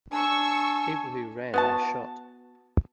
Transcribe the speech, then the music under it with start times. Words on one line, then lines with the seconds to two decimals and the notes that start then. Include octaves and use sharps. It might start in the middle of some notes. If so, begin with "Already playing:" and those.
People who ran were shot.
0.12 D4 G#5 C#6 E6
1.54 B3 F#4 A5